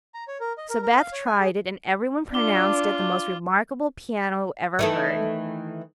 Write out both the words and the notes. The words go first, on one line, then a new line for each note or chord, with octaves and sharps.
So Beth tried it, and everyone pronounced it the most remarkable piano ever heard.
A#5
C#5
A#4
D#5
A#4
A#4
F5
C#5
G#5
G#4
D4 F4 D6 G7
D#3 E3 A3